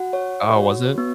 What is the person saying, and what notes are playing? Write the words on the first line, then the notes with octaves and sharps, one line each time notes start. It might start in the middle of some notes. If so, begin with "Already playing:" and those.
Oh, was it?
Already playing: F#4 F#5
C#5
F#4
B3